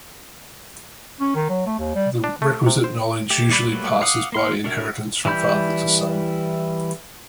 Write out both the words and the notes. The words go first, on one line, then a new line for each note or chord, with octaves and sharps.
The requisite knowledge usually passes by inheritance from father to son.
C#4
D#3
F#3
A3
D#2
G3
D4
A3
C3
C5
A3 G4
E3 G3 D5 B5
F#3 G3 A3 A#3 B4
F5 F#5 D6 D#6
A#3 C6 F6
D4 F#4 A#4 E5
E3 G3 E4 B5 G6